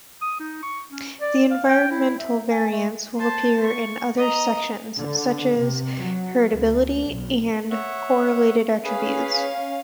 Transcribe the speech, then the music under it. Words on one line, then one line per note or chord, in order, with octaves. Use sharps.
The Environmental variance will appear in other sections, such as "Heritability" and "Correlated attributes".
D#6
D#4
C#6
C#4
D5
F5
G5
E4
E5
G#5
A3
C5 A5
C#6
D#5 A#5
D3
C3
F#3
D2
B1
C#5 E5 F#5
C#4 G#4 B4 F5 B5